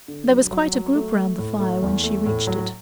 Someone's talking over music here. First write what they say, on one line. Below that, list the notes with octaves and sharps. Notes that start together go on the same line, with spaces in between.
There was quite a group round the fire when she reached it.
D3
F#3
F#3
F#3
A3
A3
A2
A3
E2
A3
A2
F#3